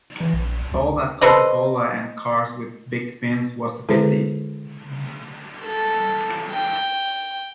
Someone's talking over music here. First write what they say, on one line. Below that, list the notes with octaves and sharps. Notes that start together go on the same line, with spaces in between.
All that Coca-Cola and cars with big fins was the Fifties!
E3
A#1
D2
A4 B4 C5 D#5
D3 G#3 E4 G#4 B4 C5
A4
G5